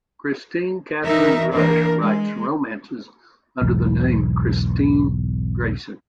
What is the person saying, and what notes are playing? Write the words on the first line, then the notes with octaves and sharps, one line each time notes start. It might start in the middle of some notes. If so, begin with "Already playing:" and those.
Kristine Kathryn Rusch writes romances, under the name "Kristine Grayson".
E3 D#4 A#4 E5
E3 A#3 D4 A#4
G#3
B1 E2 G#2